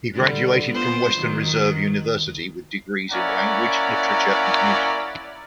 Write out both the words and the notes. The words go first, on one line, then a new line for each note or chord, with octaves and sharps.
He graduated from Western Reserve University with degrees in language, literature and music.
D3 G3
B3 F4 C5
D#3 F#3
A#3 C#4 E4 D5 F#5 A#5